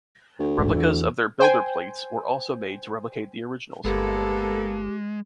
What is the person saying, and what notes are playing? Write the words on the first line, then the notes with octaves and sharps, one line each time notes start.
Replicas of their builder plates were also made to replace the originals.
D2
D#1 A1 G#2
E2 E3
C5 G5 G#5
G1 G#3 A#3 B3 G4 A4